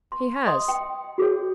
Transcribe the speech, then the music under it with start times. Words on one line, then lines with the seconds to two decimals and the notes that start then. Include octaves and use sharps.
"He has."
0.12 C6
0.47 D#5 C6 D#6
0.68 G5
1.18 F#4 G#4 A4 C#5